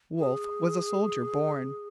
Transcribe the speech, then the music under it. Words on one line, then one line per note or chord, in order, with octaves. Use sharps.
Wolfe was a soldier born.
G#4